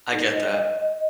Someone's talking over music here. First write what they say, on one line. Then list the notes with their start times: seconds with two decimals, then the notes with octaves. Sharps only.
I get that.
0.13 D#4
0.32 D#5